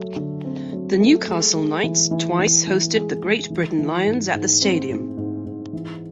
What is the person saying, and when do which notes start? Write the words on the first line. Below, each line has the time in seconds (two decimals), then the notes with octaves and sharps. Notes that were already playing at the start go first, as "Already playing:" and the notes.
The Newcastle Knights twice hosted the Great Britain Lions at the stadium.
Already playing: F#3 A3
0.16 D3
0.45 C4
0.73 F#3
1.00 A3
1.28 G#3
1.55 G#3
1.84 E3
2.11 E3
2.39 E3
2.67 E3
2.95 G#3
3.23 G#3
3.50 E3
3.79 E3
4.07 G#2
4.34 G#2
4.62 C4
4.89 G#2
5.17 G#2
5.46 G#2
5.73 E3